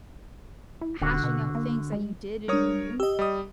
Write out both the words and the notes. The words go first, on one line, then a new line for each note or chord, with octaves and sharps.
hashing out things that you did in your youth,
E4
D#1 D3 F#4
B2
A#3
G#3
G3 D4 A#4 C#5 D#6
G4 D#5 E6
G3 D#6